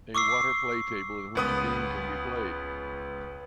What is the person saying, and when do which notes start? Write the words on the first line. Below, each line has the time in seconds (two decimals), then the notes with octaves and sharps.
A water play table in which a game can be played.
0.15 C#6 D6 E6 C7
1.35 C#2 B3 D#6